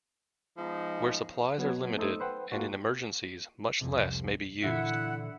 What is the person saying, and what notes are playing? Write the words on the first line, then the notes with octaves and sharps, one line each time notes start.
Where supplies are limited, and in emergencies, much less may be used.
F3 G#3 B3 D#4
F#3 B3 F#5 G#6
A3 D#4 A4 C5 D#6 E6
B4 C5 F#5 G5
A#3 F4 F#4
C2 F2 C3
A#2 D3 E3 E4 E5 F#5